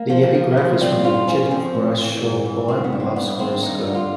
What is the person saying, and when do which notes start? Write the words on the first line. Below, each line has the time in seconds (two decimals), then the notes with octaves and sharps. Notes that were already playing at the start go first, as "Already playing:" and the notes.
The epigraph is from a Richard Crashaw poem, "Love's Horoscope".
Already playing: A#3
0.10 F3
0.34 F3
0.57 F3
0.80 G3 C4
1.04 C#3 F4
1.27 F3 C#4
1.51 F3 C4
1.75 A2
1.98 E3
2.22 G#2
2.45 E3
2.68 G2 C4
2.84 B3
2.92 D3
3.00 C4
3.16 G2 B3
3.39 D#3 C4
3.62 G2 D#4
3.78 D#4
3.87 D3
3.95 F4